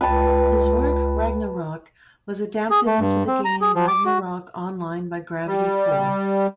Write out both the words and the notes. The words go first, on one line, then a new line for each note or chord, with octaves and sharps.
His work "Ragnarok" was adapted into the game Ragnarok Online by Gravity Cor.
C#2 B4 G5 A5
G#4
A3
G2
C4
A#5
G#4
F3
D6
F#4
G3